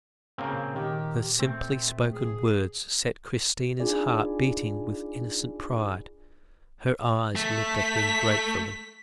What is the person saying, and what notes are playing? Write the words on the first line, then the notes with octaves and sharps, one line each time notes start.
The simply spoken words set Christina's heart beating with innocent pride; her eyes looked at him gratefully.
C#3 A#3 C4
A#2
D#3 G4
A3 C4
G#4
D4 D#4 F4 G#4 D5
A3 B6